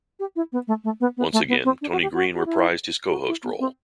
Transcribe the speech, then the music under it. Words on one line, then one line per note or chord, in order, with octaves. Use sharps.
Once again, Tony Green reprised his co-host role.
G4
E4
B3
A3
A3
B3
B3
A3
B3
C4
D4
F#4
G4
F#4
F#4
E4
F#4
E4
B3
C4